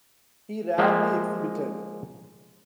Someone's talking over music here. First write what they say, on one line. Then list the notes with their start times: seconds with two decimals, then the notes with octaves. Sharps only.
He rarely exhibited.
0.78 F3 G#3 A#3 E5